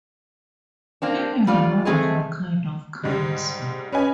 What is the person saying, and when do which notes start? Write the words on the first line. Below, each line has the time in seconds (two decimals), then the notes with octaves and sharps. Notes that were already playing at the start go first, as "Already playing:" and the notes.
He had a wonderful kind of charisma.
1.02 A#3 C4 D4
1.47 G3 F4 D5
1.85 D#3 A3 C4 G#4 D#5
3.03 G#2 G3 G#3
3.92 C#4 B4 D#5 G#5